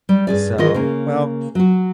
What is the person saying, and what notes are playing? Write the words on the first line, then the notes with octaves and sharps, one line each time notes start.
so, well,
G3
G2 C#3 G#4 D5
D#3 E3 F4 G#4 D#5
C#3 A#3
F#3 F#4